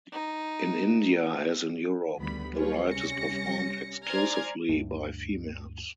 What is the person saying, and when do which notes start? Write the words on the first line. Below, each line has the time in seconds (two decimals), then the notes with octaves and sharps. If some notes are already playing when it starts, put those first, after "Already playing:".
In India, as in Europe, the rite is performed exclusively by females.
0.13 D#4
2.18 D2 D#3 G3 B3 B5
2.54 F#3 G3 F4 G#4 B4 C#5
2.91 C2 G3 C#4 A#6 C#7
4.05 C5 D5 G#5 A#5 F6 G#6
4.69 D2 G2